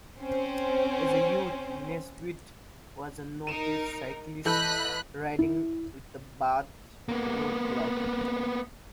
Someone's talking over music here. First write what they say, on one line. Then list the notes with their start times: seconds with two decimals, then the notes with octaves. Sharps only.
As a youth, Nesbitt was a noted cyclist, riding with the Bath Road Club.
0.20 C4 C#4 C5
3.47 D#4 A#4 D#7 E7
4.45 E3 A4 D#5 B5 F#6 G6
5.39 E4
7.09 A#3 B3